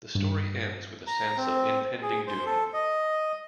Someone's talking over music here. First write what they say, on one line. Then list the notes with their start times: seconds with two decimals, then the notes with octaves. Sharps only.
The story ends with a sense of impending doom.
0.15 G2
1.07 A#5
1.37 C4
2.02 G#4
2.27 C5
2.46 A4
2.74 D#5